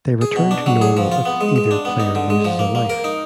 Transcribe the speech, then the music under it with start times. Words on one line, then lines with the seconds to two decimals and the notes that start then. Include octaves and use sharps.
They return to normal if either player loses a life.
0.21 G#4
0.36 B2
0.51 D4
0.66 F#3
0.81 G#4
0.97 F3
1.12 F4
1.25 B3
1.41 G#3
1.56 G#3
1.71 D4
1.85 B3
2.00 D#4
2.15 D3
2.30 G#3
2.45 F3
2.59 A#3
2.75 A#3
2.90 A#4
3.04 D#4